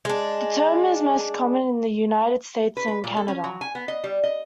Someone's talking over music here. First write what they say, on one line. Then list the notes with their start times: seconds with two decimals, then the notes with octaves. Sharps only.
The term is most common in the United States and Canada.
0.05 G#3 D4
2.77 B4
2.88 B4
3.04 A#2
3.16 A4
3.28 C#4
3.44 F#3
3.61 G#5
3.75 B3
3.88 D#5
4.04 G3
4.23 D#5